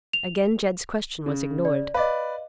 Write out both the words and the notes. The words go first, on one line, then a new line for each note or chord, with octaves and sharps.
Again Jed's question was ignored.
F7
C#3
D5
B4 D5 D#5 F5